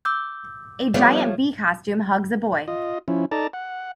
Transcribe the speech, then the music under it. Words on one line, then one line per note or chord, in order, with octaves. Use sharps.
A giant bee costume hugs a boy.
D6 E6 G6
F3 G3 A3 B3 C#5 F5
F4 D#5
F3 C#4 E4
D#4 A4 D5 A5 A#5
F#5